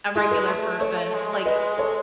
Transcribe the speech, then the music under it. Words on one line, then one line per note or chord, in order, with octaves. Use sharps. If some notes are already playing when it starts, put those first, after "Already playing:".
a regular person, like
G#3 E4 G#4
G#4 B4
A3
A4 C#5
G#3
B4 D#5
A4 C#5